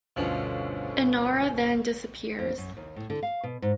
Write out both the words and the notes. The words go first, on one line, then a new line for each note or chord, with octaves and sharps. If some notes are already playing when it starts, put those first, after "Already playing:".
Inara then disappears.
G1 D2 B2 F3 C#4
F2
F#2
D#2
A2
D3
F5
B2
G#2